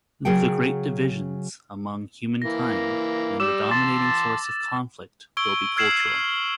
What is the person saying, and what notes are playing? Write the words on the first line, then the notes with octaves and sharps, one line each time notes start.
The great divisions among humankind and the dominating source of conflict will be cultural.
C#3 F#3 G#4 A#4 F#5 G5
E3 A#3 A#6
G3 D6 E6 E7
A5 C6 A6
C#6 E6 G#6 D7 G7
E6 F6 G#6 C7 E7 F#7